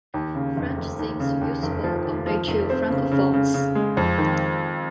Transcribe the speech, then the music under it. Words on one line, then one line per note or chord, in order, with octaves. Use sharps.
French seems useful only to francophones.
D#2
C#3
F1
F1
D#2
C#3
D#2
F1
F3
D#2
F3
F1
C4
C#3
C#3
C#3
C#3
G#3
F2
D#3